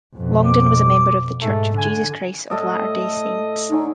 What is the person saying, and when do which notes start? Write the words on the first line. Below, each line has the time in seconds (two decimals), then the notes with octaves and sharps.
Longden was a member of The Church of Jesus Christ of Latter-day Saints.
0.15 F2 B2
0.45 D6
1.42 G#2 A3
1.78 D3 G#5
2.50 A2 A4 D5 D#5
3.70 D3 D#4 C#5 G#5